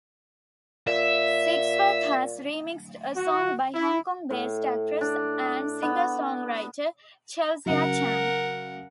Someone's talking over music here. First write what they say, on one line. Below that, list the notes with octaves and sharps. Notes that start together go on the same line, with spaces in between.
Sigsworth has remixed a song by Hong Kong-based actress and singer-songwriter Chelsia Chan.
A#2 E5
F#4
E4
A2
D4
B3
C#3 F#3 A#4 F#5